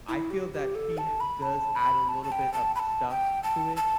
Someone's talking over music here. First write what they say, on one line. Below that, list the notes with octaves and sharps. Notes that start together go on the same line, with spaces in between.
I feel that she ha does add a little bit of stuff to it,
E4
G4
G4
A4
A5
B5
A5
B5
A5
A5
G5
A5
B5
A5
G5
A5
A5